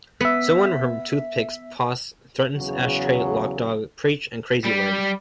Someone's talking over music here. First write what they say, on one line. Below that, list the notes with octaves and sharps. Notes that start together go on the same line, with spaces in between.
Someone from Toothpicks posse threatens Ashtray, Loc Dog, Preach, and Crazy Legs.
B3 E5 B6
E2 C#3 F#3
G3